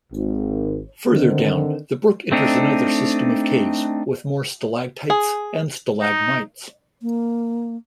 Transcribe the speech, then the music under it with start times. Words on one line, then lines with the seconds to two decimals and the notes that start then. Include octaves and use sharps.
Further down, the brook enters another system of caves with more stalactites and stalagmites.
0.13 G#1
1.10 D3 D#3 C4
2.32 A3 C4 D4 D#4
5.10 G#4
6.01 D#4
7.02 A#3